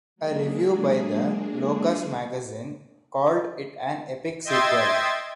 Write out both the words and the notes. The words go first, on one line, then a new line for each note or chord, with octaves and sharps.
A review by the "Locus Magazine" called it an epic sequel.
F#3 G#3 A#3 D4 G#4
D#5 E5 G5 C6 G#6 A6